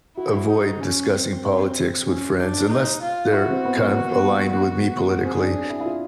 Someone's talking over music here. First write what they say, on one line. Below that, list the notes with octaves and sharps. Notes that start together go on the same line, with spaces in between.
a avoid discussing politics with friends unless they're kind of aligned with me politically,
E4 F#4
D#4
C#4
C4
C#4
D4
D#4
F4
E4 F#4
C4
B3
A#3
B3
A#3
B3
C4 G#4
D4
E4
E4
F4